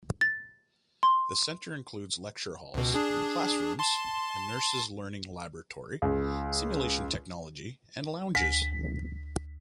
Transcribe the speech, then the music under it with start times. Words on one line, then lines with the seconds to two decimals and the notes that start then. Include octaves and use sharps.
The Center includes lecture halls, classrooms, a nurses' learning laboratory, simulation technology, and lounges.
0.21 A6
1.03 C6
2.74 C#2 B2
2.94 D4 G#4
3.79 A5 C6
6.02 C#2
8.35 D2 G#5 A#6 B6